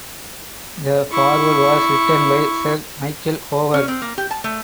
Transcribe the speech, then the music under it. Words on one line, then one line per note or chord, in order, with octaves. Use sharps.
The foreword was written by Sir Michael Howard.
E4 C#6
C#4
C4
A#3
G4
A5
A3